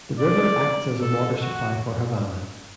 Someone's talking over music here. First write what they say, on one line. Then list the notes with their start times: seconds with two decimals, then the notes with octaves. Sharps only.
The river acts as a water supply for Havana.
0.20 D5
1.01 A4
1.42 F#4